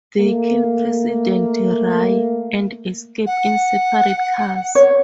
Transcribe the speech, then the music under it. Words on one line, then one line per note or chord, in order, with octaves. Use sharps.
They kill President Rai and escape in separate cars.
A3 A#3
F#5
C#5